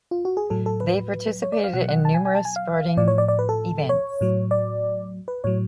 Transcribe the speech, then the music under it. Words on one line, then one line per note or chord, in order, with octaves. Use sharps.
They participated in numerous supporting events.
F4
F#4
G#4
A2 F#3 A4
A4
B4
C#5
D5
F5
B2 F#3 F#5
F#5
A5
G#5
G#5
A5
G#5
F5
A2 F3 D5
C#5
D5
D5
B4
A4
C#5
A2 F#3
D5
B4
A2 F#3 C#5